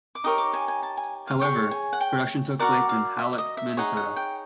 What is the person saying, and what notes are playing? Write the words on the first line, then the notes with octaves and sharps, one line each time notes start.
However, production took place in Hallock, Minnesota.
D6
D#4 G4 A#4 C#5 D#6
D6
G#5
G#5
A5
G#5
F5
G#4 C#5 G5
G#5
F#5
G5
F#4 A#4 D5 F#5
F5
E5
E5
D#5
E5
D#4 G#4 C#5 F#5
F#5
G5